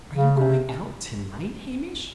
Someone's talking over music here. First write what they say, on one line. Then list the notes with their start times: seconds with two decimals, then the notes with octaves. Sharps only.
"Are you going out to-night, Hamish?"
0.14 C#3
0.37 C3